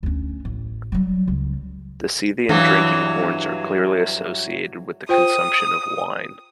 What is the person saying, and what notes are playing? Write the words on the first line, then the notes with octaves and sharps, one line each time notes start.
The Scythian drinking horns are clearly associated with the consumption of wine.
D2 C#4
A1
F#3 G3
C#2
G2 E3 F#3
F4 C5 G5 D#6